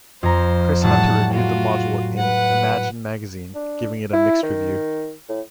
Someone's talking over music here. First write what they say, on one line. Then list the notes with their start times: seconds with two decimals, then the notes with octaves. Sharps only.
Chris Hunter reviewed the module in "Imagine" magazine, giving it a mixed review.
0.23 F2 C5 A#5
0.83 A2 F#3 G3 F#5 A5
1.33 F4 F#4
2.18 B4 F#5
3.55 D4
4.13 E4
4.43 D#3
5.29 A2